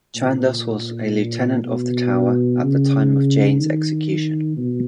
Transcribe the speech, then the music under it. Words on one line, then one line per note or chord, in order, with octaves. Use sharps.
Chandos was a Lieutenant of the Tower at the time of Jane's execution.
A#2
B2
C#3
D#3
B2